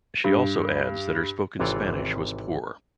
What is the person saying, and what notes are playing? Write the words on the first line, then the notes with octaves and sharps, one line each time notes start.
She also adds that her spoken Spanish was poor.
G2
G#1 C3 E3 F4 C#5 D5